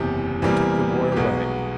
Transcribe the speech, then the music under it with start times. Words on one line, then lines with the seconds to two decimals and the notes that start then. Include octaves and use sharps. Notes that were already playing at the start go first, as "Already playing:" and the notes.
We took the boy away.
Already playing: F#1 E2 C3 G4
0.42 E2 C3 E3 G3 A#3 G4
1.12 G4
1.16 B1 B2 G#3 B3 F#4